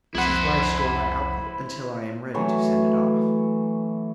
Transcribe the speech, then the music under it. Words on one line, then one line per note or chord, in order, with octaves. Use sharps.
This is where I store my output until I am ready to send it off.
C2 F2 E4 C5 F#5 B5
E3 F#3 A3 C#5